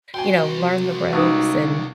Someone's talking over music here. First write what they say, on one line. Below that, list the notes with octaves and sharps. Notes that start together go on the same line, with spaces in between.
you know, learn the ropes and
C2 F#4 G5 G#5 C6
C#2 D#4 B4 D#6